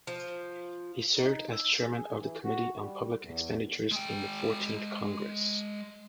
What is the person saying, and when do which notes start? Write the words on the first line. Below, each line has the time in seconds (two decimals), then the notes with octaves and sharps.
He served as Chairman of the Committee on Public Expenditures in the Fourteenth Congress.
0.07 F3
1.17 D#4
1.52 E6
1.82 G#4
1.97 G#4
2.20 E3
2.45 F#4
2.82 G3
3.24 E2
3.92 G#3 G5